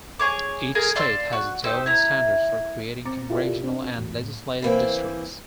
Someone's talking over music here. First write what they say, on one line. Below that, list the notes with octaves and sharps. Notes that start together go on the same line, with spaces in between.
Each state has its own standards for creating Congressional and legislative districts.
G#4 C#5 D6
G#4 A#4 F5
D5 F5 C6 E6
F#4
D#4 G4 C5 E6
E4 A#5
F#2 C4 A#5 D6 A6 C#7
E4 F4 G4 A4 A#4 D5
C4 D4
F#4
E2 G#2
G1 F2 A2
E3 A#3 C4